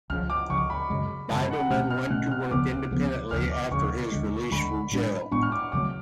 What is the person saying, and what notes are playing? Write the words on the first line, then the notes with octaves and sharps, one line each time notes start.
Biberman went to work independently after his release from jail.
C#2 C#3 F3 F6
D6
C#2 C#3 F3 C#6
B5
F#2 C#3 G#3
F#2 C#3 G#3 A5
F#5
B2 A3 C#4 F6
F6
B2 A3 C#4 F#6
F6
C#2 C#3 F3 B3 D6
C#2 C#3 F3 B3
D2 C#3 F3 F6
D6
D2 C#3 F3 C#6
D2 D3 G#3
D2 D3 G#3 B5
A2 G#3 B3 D4
A2 G#3 B3 D4 C#6
F6
D6
F2 C#3 F#3 A3 D6